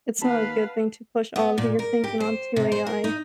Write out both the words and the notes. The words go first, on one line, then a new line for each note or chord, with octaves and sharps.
it's not a good thing to push all of your thinking onto AI
D#2 B4 F5 F#5 A5 B5
B3
A#2
A#4
G4
C5
C3
C5
A#4
D#4